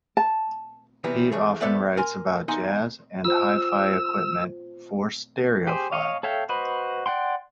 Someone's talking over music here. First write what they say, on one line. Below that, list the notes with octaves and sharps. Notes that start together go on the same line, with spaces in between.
He often writes about jazz and hi-fi equipment for "Stereophile".
A5
C3 E3 F#3 G3 B3
E3 A3 G#4
B3 A4 C5 D5 E5 F#5
A#4 G#5 C6
E2 D#4 F#5 G#5 C6
F4 C5 E6
G4 G#4 C5
C#5 D#5 F5
A4 C#5 E5 F5 G5
F#4 B4 C5 D#5 B5
D5 F#5 G5 C6